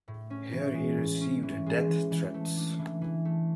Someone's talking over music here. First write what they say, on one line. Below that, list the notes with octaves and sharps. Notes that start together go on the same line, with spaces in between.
Here he received death-threats.
A2
C#4
E3
G#3
A2
C#4
E3
G#3
E3
E3
A3
D4
E3
E3
A3